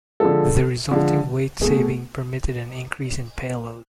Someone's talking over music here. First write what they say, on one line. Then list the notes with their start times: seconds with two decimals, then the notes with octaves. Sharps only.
The resulting weight saving permitted an increase in payload.
0.20 D3 F3 G#3 A4
0.91 D3 F3 G#3
1.61 B2 A3 G#4